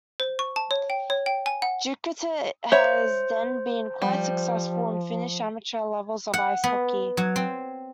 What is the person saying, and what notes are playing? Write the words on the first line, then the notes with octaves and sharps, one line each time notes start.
Jukurit has then been quite successful in Finnish amateur levels of ice hockey.
C5
C#6
A5
C#5
G5
C#5
G5
G#5
F#5
C5 C#5 E5
F3 G3
F#5
B3
F#3
C4